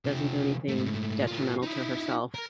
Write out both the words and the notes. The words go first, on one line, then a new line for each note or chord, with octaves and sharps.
doesn't do anything detrimental to herself.
C3 F3
G#2 A3
A2 F4
D#4 E4
A#4